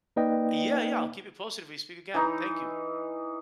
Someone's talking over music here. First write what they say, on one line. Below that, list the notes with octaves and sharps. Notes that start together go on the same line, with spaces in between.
Yeah, yeah, I'll keep you posted if we speak again. Thank you.
A#3 D#4 B4 D5 D#5 G5
E3 D#4